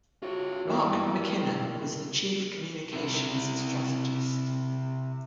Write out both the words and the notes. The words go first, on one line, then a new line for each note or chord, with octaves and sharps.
Mark McKinnon was the chief communications strategist.
F4 F#4 C#5
G2 D#3 E3 A#4
C3 E4